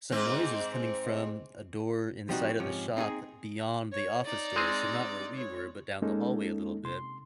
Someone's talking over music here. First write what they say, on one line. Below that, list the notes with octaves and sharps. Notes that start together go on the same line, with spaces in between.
some noises coming from a door inside of the shop beyond the office doors, so not where we were, but down the hallway a little bit,
G#2 C4
F3 G3 C4 D#4 F#4
G#2 C3 F3 C#4
C4 D#4 F4 G#4
C#5
D#4 D5
G#3 C4 G#4
C#5
G#3 A#3 C#4 D#4 A4
C3 C6